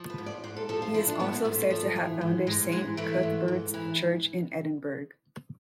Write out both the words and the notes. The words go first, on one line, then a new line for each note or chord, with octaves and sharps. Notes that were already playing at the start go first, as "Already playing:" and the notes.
He is also said to have founded Saint Cuthbert's Church in Edinburgh.
Already playing: F3
B4
G#2
D5
G#2 C5
A4
F3 A4
F4
F3 E4
D4
G#2 B3
D4
G#2 A3
F3
E3
G#2
G#2 G#3
E3 G#3
E3 A3
G#2
G#2
E3